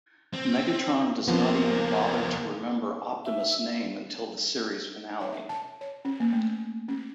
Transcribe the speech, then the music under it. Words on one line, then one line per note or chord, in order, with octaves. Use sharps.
Megatron does not even bother to remember Optimus' name until the series finale.
C4
D#2 F3 A#3 B3 C5
E5
C#5
E5
A5
C#5
C#4
A#3
A3
C#4